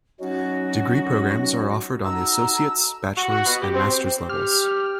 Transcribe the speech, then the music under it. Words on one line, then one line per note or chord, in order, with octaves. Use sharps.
Degree programs are offered on the associate's, bachelor's, and master's levels.
F#3 C#4 D#4 F#4
D#4 F#4 A4 A#5 E6
F#4
F#4
B2
G4
C4
C4
G4 F6